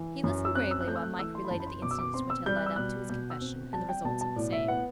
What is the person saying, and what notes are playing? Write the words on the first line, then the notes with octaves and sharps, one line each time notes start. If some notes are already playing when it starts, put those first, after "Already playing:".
He listened gravely while Mike related the incidents which had led up to his confession and the results of the same.
Already playing: E3
F#2
E6
C4 F#6
E6
F#6
A3 G6
E6
F#6
E3 E6
C6
B5
F#2 A5
B5
C6
B2 D6
E6
D6
C4 C6
E6
G3 G6
F#6
E6
B2 F#6
B2 G6
E6
C4
G3 A5
G5
B2 A5
A5
A2 D5
E5
B3 F#5